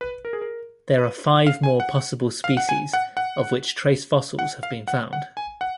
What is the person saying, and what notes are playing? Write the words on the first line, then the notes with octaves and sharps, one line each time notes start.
There are five more possible species of which trace fossils have been found.
B4
A#4
G#4
A#4
B4
F5
G#5
F#5
F5
F#5
G#5
F#5
F#5
F#5
F5
F#5
F#5
G#5
F#5